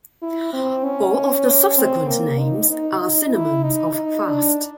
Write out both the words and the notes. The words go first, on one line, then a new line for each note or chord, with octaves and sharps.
All of the subsequent names are synonyms of "fast".
E4
C4
C#4
C4
A#3
D#4
D#4
D#4
E4
D#4
D#4
D4